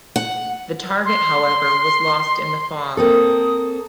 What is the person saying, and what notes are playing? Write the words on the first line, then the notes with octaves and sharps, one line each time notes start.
The target, however, was lost in the fog.
F#5
C6
A#3 C4 A4 D#6